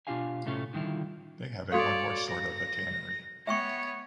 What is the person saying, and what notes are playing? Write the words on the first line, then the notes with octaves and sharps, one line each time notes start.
They have a one-horse sort of a tannery.
B2 D4 F4 G4 F5 G#5
A2 C3 A3 C#4 F4
D3 D#3 G3 E4 F4
F#4 A4 C#5 D5 F5
A#6
B3 C#5 E5 G5 C#6